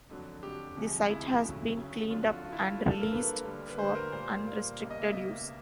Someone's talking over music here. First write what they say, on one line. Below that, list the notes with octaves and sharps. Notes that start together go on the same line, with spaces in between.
The site has been cleaned up and released for unrestricted use.
F2 D3 F#3
F2 D3 F#3 G4
D2 C3 F3 G#3
D2 C3 F3 G#3 E4
D2 C#3 F#3 A3
D2 C#3 F#3 A3
F2 D3 F#3 F4
F#4
F4
F2 D3 F#3 F4
E4
F4
G2 D3 F#3 A#3
A4
A#4
G2 D3 F#3 A#3 B4
D2 D3 G3 A#3
B4
D2 D3 G3 A#3 C5
A#4
A#2 G3 A#3 C5
A#2 G3 A#3
C#2 B2 G3 A#3
D#5
E5
C#2 B2 G3 A#3 D#5